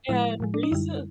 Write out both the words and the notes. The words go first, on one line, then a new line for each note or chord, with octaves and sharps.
And recent
A2 F3 G#3 E4
A2 F3 G#3
D4
D#4
F#2 D3 G3 E4